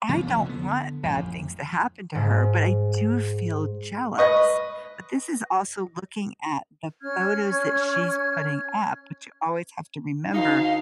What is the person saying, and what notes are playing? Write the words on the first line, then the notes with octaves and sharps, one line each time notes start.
I don't want bad things to happen to her, but I do feel jealous. But this is also looking at the photos that she's putting up, which you always have to remember
C#3 F3 B3
F1 F2 D3 F3
D3 B3
A1 F2 F3
G#2
B4 D#5 C#6
C#4 F6 G#6
D2 D#4 F5